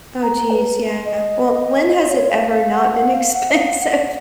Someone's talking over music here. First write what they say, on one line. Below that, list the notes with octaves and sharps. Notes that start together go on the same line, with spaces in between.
Oh, jeez, yeah. Well, when has it ever not been expensive?
A#5
B4
D#5
D#5
C#5
F5
F5
F#5
F#5
F5
F#5
D#5
F5
F#5